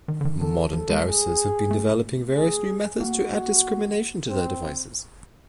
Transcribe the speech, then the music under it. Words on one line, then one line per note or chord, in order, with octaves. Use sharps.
Modern dowsers have been developing various new methods to add discrimination to their devices.
D#3
D3
D#3
D#3 A4
F3
E3
F3 A4
G#3
G#4
A3
G#4
A#3 F#4
C4